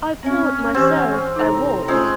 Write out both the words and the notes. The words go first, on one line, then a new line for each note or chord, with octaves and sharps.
I thought myself I was.
C4 C#4 E5
E3 C4 G4 C5
F#5
A2 C3 D#4 C5 A#5
G#3 A3 C4 C#4 F4